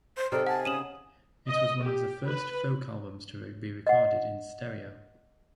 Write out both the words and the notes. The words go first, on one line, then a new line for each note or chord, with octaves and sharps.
It was one of the first folk albums to be recorded in stereo.
C5
C3 D#4 A4 A#4 D5
F#5 G#5 A5
C#3 D#6 D#7 E7 F#7
D#5
G4
B4
D#5 F#5